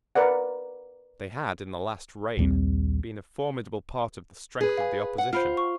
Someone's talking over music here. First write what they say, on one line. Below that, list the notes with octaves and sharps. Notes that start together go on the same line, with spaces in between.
They had, in the last reign, been a formidable part of the strength of the opposition.
A#4 B4 D5 F#5
A#1 D#2 G3 C4
G#4 B4
F5 G#5
F#5
F4 C5 B5 F6
C#6